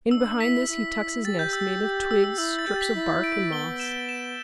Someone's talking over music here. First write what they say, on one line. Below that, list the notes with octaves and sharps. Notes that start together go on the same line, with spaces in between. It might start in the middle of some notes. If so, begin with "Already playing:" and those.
In behind this he tucks his nest made of twigs, strips of bark and moss.
D4 E6
E4 B6
E4
G4 A6
G6
E6
G4
E6
E6
E4 E6
A6
G4 G6
A6
B6
E4
D7
B3 G7
E7
E7